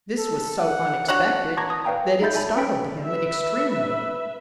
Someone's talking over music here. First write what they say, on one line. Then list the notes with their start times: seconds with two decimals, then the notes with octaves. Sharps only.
This was so unexpected that it startled him extremely.
0.18 A4
0.59 F#5
1.08 D4 F#4 C#5 F#5
1.57 A5 A#5 C#6 D6 G#6 A#6
1.70 D#6
1.85 B4 D5 F5 G5 G#5 A#5
2.21 D#4 D#5 E5 B5 G6 A6
2.34 D5 E5 G#5 A5 B5
2.57 C#4 B4 G5 B5 B6 D7
3.06 B4 E5